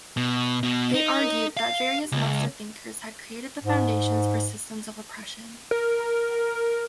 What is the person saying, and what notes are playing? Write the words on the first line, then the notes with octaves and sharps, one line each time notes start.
They argued that various "Master Thinkers" had created the foundations for systems of oppression.
B2
B2
D#4
F5
C#2
G#2
A#4